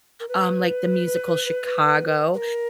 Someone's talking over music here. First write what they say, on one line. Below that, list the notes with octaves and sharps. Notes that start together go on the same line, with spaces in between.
Um, like the musical Chicago,
A#4
B4
B4
A#4